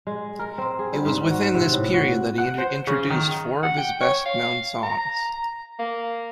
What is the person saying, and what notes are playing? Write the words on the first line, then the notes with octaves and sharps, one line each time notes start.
It was within this period that he introduced four of his best-known songs.
G#3
A#4
C4
G#4
G3
G#2
F#4
C3
A2
F#4
F#5
C5
C#3
D#3
F#5
G5
C#5
F5
A#5
A#3